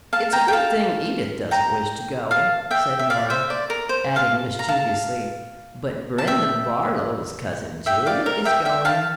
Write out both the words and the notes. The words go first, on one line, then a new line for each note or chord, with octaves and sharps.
"It's a good thing Edith doesn't wish to go," said Nora; adding mischievously, "but Brenda Barlow's cousin Julia is going."
F5 A5
G5 A#5
G5
F5 A5
G5 A#5
F5 A5
E5 G5
E5
D5 F5
C5 E5
D5
A#4
C5
F5 A5
A#5
F5 A5
A5
E5 G5
E5 G5
D5 F5
A#4
E5 G5
E5 G5
F5 A5